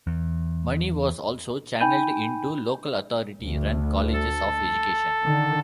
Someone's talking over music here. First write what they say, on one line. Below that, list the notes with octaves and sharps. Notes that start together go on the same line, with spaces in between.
Money was also channelled into local-authority run colleges of education.
E2
D#4 G5 G#5 B5 G6 D#7
D2
A4
D3 D#3